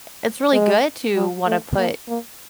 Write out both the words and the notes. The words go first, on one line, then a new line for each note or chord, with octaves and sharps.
it's really good to wanna put
G#3
G3
A3
A#3
A#3